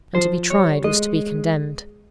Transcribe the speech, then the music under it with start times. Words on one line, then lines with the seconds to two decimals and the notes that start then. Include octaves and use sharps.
And to be tried was to be condemned.
0.15 F3 C5
0.50 G3 C#5
0.84 G#3 D#5